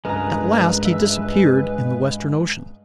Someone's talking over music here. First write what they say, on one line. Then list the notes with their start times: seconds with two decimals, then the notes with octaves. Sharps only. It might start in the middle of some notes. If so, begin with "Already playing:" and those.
At last he disappeared in the western ocean.
0.05 C#2 G2 G#3 A#4 B4 A#5
0.85 E5